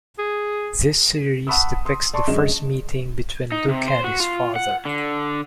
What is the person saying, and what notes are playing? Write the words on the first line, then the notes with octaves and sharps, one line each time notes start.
This series depicts the first meeting between Luke and his father.
G#4
F#5 A5 B5 C#6 D#6 E6
C6 D#6
D5 A5 C6 C#6
F#2 D3 G#3 D#5 E7
D#4
C3
C5
F#4
F4
F#5
D3